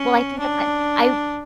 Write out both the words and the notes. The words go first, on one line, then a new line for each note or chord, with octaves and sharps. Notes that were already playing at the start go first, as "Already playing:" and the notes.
Well, I think that that I
Already playing: C#4
D4